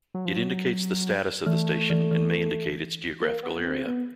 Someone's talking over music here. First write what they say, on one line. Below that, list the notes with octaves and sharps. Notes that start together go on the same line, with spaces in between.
It indicates the status of the station and may indicate its geographical area.
F#3
F3
F#3
E3 A3
E3
E3
A#3
B3
B3
C4
B3